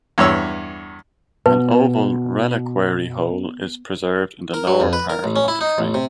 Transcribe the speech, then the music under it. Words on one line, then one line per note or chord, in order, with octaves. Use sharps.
An oval reliquary hole is preserved in the lower part of the frame.
E2 G2 C#5 E6
B2 B4
A#4
F#3
F2
B4
A#4
A1
C#4
E4
D#4
A1
C3